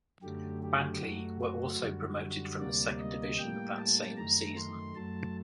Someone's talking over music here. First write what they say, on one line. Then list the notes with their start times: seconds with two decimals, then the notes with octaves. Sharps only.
Batley were also promoted from the Second Division that same season.
0.22 F#2 D3 F#3 A3 G4
0.63 G4
1.01 F#2 F#3 A3 F#4
1.41 F#4
1.81 F#2 D3 G3
2.59 D2 C3 G3 A#3 D5
2.99 D#5
3.38 A2 G3 A#3 G5
3.78 A5
4.17 F#2 D#3 A3 A#5
4.56 C6
4.96 F#2 F#3 A3 A5